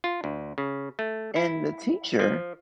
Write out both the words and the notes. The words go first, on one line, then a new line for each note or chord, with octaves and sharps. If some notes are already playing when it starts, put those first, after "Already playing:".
and the teacher
F4
D2
C#3
A3
E4
F3